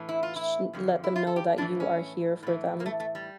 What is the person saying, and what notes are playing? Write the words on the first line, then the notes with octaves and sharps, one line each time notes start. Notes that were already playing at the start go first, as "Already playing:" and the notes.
sh let them know that you are here for them.
Already playing: A2 E3
E4
F4
E4
F2 D3 F3
E4
F4
A4
G4
A2 E3 D4
C#4
A2 E3
A#3
A3
A3
G3